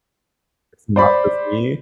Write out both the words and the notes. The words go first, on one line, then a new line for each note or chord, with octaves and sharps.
not just me."
C5 D5 B5